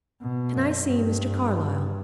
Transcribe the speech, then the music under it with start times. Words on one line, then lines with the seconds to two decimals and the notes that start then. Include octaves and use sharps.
"Can I see Mr. Carlyle?"
0.22 B2
0.53 F#2
0.86 G2